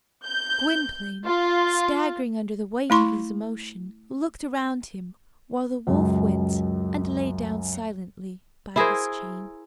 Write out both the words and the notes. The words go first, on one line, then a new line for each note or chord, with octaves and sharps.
Gwynplaine, staggering under the weight of his emotion, looked around him, while the wolf went and lay down silently by his chain.
G6
F4
A3 E4 C6 C#6
C#2 F#2
E4 G#4 A#4 C5